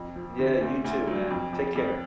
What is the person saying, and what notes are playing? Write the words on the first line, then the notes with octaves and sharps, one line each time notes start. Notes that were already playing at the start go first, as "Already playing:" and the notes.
Yeah, you too, man. Take care.
Already playing: F2
F3
D3
D2
D2
F#3
F2
F2
F2